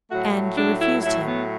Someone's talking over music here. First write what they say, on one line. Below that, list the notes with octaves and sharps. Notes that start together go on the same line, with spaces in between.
'And you refused him?'
A2 F#3 A3 F#4
D4
E4
A2 F#3 A3 E4
B3